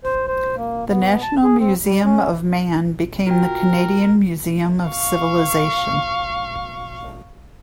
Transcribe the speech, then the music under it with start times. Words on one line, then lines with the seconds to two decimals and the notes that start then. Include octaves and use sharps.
The National Museum of Man became the Canadian Museum of Civilization.
0.04 C5
0.27 C5
0.56 A#3
0.90 B3
1.22 A5
1.43 G#4
1.59 C4
1.84 G3
2.04 C#4
3.27 F4 F#4 A#4 G5
4.88 F5 C#6